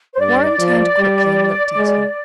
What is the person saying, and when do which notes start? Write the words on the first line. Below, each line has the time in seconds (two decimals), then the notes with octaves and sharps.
Warren turned quickly and looked at her.
0.14 C5
0.19 G2 D5
0.59 F3
0.98 G3
1.77 G#3